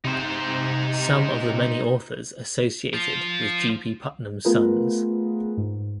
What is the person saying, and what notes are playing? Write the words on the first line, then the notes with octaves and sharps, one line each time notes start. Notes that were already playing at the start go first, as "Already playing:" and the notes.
Some of the many authors associated with G. P. Putnam's Sons.
C3 D#4 C5
F3 F4
A3 B3 F4 G#4 A#4 B4
G#2